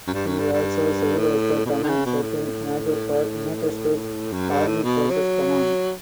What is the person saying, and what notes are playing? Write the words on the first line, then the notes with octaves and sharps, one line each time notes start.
He also served as the command sergeant major for United States Army Forces Command.
F#2
G2
F#2
G2
G2
A2
B2
A2
D3
C#3
B2
A2
F#2
G2
A2
B2
F#3